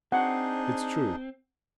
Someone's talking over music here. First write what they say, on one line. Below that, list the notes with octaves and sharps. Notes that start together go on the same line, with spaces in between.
"It's true."
C4 D4 D#4 G#4 F#5